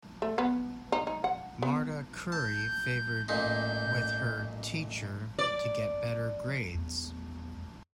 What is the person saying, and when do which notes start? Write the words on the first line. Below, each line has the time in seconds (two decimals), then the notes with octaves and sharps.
Marta curry favored with her teacher to get better grades.
0.22 A3
0.38 B3
0.92 D#4
1.07 D#4
1.24 F#5
1.62 B3
2.32 A5 G6
3.28 A1 A#2 D#4 G6
5.39 D5
6.75 E2